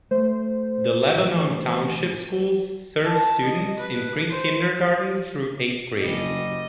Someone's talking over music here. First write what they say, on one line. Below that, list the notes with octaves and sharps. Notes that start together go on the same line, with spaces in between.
The Lebanon Township Schools serves students in pre-kindergarten through eighth grade.
A3 C5
A1
A5
D#5
B4
C5
F#1 G3 D#5